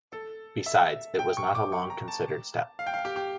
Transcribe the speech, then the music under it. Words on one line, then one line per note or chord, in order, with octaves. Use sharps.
Besides, it was not a long-considered step.
A4
E5
G5
C#6
D6
C#6
A#5
A5
F5
G5
F5
G4
G4